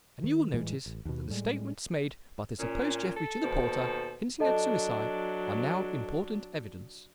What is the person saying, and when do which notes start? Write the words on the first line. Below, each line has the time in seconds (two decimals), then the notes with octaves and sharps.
And you will notice that the statements made by the supposed Jeffrey to the porter, hinting at suicide, are now important evidence.
0.24 D#3
0.54 A2 E3 G3 G#3
0.86 A1
1.05 D#2 B2
1.30 A2 G3 G#3
2.59 A#2 C#4
3.17 A4
3.43 D#2 B2 C5
4.40 F#3 D4 A4 D#5 A5